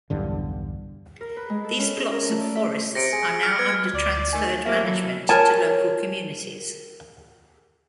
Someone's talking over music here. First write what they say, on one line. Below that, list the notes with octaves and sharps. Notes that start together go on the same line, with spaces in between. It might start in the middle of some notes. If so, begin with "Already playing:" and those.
These plots of forests are now under transferred management to local communities.
B1 E2 G2 D3
A#4
B4
G#3
A4
C#4
G#4
A#4
A3
D5
E5
C3 A#6 C#7 D7
G#4
F6 C#7
B3 G#6
D2 D5
D#3 A3 G#5
C3 A3 A#3 E5
F#3 E4 A4
A#4 C#5 G#5 A5